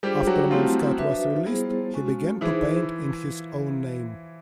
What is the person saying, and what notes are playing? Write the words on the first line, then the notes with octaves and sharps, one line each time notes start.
After Malskat was released, he began to paint in his own name.
G3 D4 F4 G4 G#4 C5
F#3 F#4
F3 A3 C4 E4 F4 G4
D4 F#4 B4 E5
G3 B3 E4 G#4 C5
G#3 C#4 F#4
E3 D#4 E4 G#4 C5